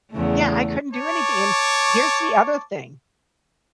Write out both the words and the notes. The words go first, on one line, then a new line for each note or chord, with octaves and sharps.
Yeah, I couldn't do anything, and, here's the other thing.
E2 C#3 A3
C#5 A5 C#6 D6